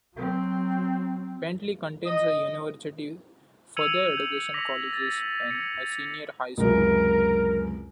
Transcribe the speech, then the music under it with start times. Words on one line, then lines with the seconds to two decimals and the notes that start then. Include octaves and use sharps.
Bentley contains a university, further education colleges and a senior high school.
0.15 F#3 C4
2.06 D#5
3.77 E6 G#6 C#7 D#7 F7 F#7
4.17 G6
4.54 D6 A#6 B6 C#7 F7
4.93 A6
5.51 G#6 C#7
6.57 C#2 F#2 C3 A#4